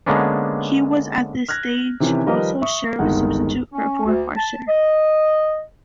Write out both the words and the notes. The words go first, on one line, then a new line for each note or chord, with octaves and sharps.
He was at this stage also Sheriff Substitute for Forfarshire.
D3 G#3 A#3 B3 C#4 D4
F6 F#6 G#6 A#6
C3 D#3 E3 C#4
D#3 F3 G3 A#4 B4 D#5
E5 C#6 D#6
G1 C2 D#3 G#3 D#4 F#5
C#4
D2
A5
D#5